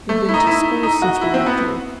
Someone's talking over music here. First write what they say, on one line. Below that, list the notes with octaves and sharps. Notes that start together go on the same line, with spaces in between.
"We've been to school since we left you."
A3
E4
D#4
E4
D#4
F#4
E4
C4
B3